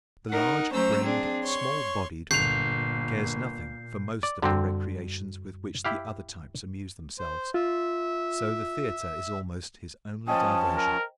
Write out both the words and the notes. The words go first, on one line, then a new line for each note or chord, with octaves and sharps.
The large-brained, small-bodied man cares nothing for most of the recreations with which the other types amuse themselves, so the theater is almost his only diversion.
D#4 A#4 F#5
F#3 A3 C#4 C5 A#5 E6
C4 D4 G#4
C#5 C6 C#6
G1 A#2 G6 C7 F7
D5
F#2 D3 G3 C4 C6
E4 G4 F5
C5
F4 E5
F3 C#4 C5 D#5 G5 A5 D#6
A#4